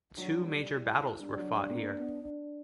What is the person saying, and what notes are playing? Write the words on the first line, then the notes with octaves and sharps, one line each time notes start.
Two major battles were fought here.
F#3 D4
G3
E4
G3 D4
G3
F#3
G3
A#3
B3
D4